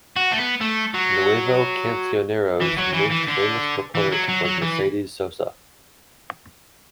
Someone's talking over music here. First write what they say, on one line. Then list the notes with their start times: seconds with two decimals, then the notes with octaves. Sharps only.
Nuevo Cancionero's most famous proponent was Mercedes Sosa.
0.16 F#4
0.32 A3
0.39 B3
0.61 A3
0.94 F#3
2.62 E3
2.79 F#3
2.94 E3
3.12 E3
3.28 D3
3.95 E3
4.12 F#3
4.29 F#3
4.45 F#3
4.62 E3